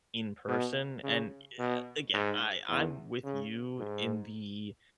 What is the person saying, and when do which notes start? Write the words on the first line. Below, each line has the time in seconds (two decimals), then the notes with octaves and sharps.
in person, and i uh, again, I I'm with you in the
0.48 B2
1.03 C#3
1.59 B2
2.14 G#2
2.68 E2
3.24 C#3
3.79 G#2